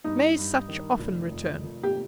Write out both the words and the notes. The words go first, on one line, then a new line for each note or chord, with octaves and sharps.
May such often return.
G2 D#4
G2
D#3
F1
F2
F2
G4